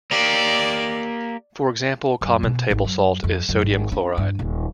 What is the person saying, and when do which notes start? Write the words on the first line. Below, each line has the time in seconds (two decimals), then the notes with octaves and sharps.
For example, common table salt is sodium chloride.
0.11 A#3 G4 D5
2.21 F#2
2.43 B2
2.70 G#1
2.84 F#2
3.24 F2
3.49 F#2
3.61 G#1
3.92 C#4
4.18 G2
4.39 D#1